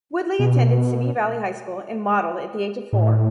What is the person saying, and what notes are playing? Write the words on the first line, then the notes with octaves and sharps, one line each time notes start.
Woodley attended Simi Valley High School and modeled at the age of four.
B2
A2